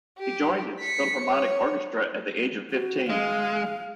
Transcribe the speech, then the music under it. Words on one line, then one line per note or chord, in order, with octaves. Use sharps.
He joined its Philharmonic Orchestra at the age of fifteen.
G4
B6 C#7
C#5
F#4
G#3 F5